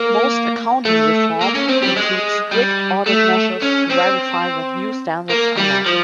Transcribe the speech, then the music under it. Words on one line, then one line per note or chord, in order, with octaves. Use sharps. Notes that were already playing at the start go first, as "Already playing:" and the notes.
Most accounting reform includes strict audit measures to verify that new standards are met.
Already playing: A#3
A3
A#3
C#4
C4
G3
G#3
G3
A3
C#4
C4
A#3
G3
F3